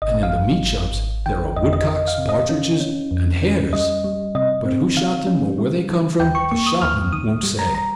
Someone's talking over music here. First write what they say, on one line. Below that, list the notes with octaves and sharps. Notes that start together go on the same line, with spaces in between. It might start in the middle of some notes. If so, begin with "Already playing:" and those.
And in the meat-shops there are woodcocks, partridges, and hares, but who shot them or where they come from, the shopman won't say.
G#1 D#5
F5
G2
G#1
G#1
D#3 G5
F2 D#5
D#5
D#3 D#5
F5
C3
D#5
C#4
C#4
F2
C#4
G3 D#5
G3
C3 D#5
C4
D#3 F5
C#4
G3
D#3
D#2 G5
C#6
A#3 C#6
D#6
D#2 F6
D#3 D#6
G3
A#5
A#5